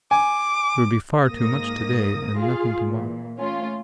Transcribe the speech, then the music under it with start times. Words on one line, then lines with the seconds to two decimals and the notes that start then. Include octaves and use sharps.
There would be far too much today and nothing tomorrow.
0.11 G#5 D6
1.27 G#2 A#3 D#6 A#6
2.36 F4 G#4 F5
2.89 A#2 E3
3.37 A3 C#4 F4